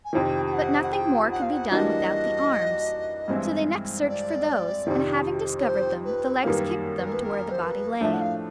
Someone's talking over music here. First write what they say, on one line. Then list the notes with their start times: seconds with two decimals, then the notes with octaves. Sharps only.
But nothing more could be done without the arms; so they next searched for those, and, having discovered them, the legs kicked them to where the body lay.
0.04 G#5
0.13 F2 C3 D#3 G5
0.46 G5
0.53 F#5
0.83 F#5
0.92 G5
1.31 F#5
1.42 F5
1.52 F#5
1.71 E3 G3 A#3 D4 F#4 D#5
3.28 G2 E3 G#3 C4 E4
4.08 D5
4.87 F2 C3 D#3
5.58 C#5
5.65 C5
6.04 B4
6.43 F#2 D#3 G3 A#3 B4
6.96 B4
7.04 A#4
7.12 B4
7.23 A#4
7.51 C5
7.62 B4
8.01 A2 F3 A3 D4 E5
8.13 F#5
8.21 F5